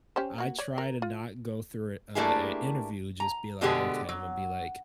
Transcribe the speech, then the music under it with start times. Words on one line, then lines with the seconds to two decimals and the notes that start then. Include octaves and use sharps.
I try to not go through a an interview, just be like, okay, Imma be like,
0.16 C#4 G4 C5
0.38 A#3 F#4
0.58 C#5 D5
0.78 A#4
1.02 F4
2.15 A3 A#3 D4 E4 G4 G#4
3.20 A#5
3.61 B2 D3 G#3 B3 G4 G#4
4.09 F#3